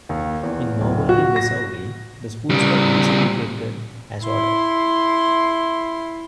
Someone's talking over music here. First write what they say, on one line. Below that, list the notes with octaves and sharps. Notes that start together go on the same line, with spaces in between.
In Moberly, Missouri, the schools were desegregated, as ordered.
D#2
E2
D1
F#4
A#6
C#3 G3
E4 C6